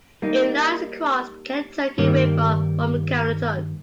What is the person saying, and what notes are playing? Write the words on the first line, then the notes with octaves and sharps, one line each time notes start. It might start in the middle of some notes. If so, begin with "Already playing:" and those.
It lies across the Kentucky River from Carrollton.
G3 A#3 D#4
G2 D#3 G3 A#3